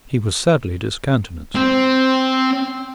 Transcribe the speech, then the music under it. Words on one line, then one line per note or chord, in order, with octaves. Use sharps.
He was sadly discountenanced.
C4